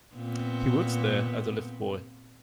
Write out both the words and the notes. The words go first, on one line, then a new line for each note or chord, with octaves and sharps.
He works there as a lift-boy.
A#2 B3 C4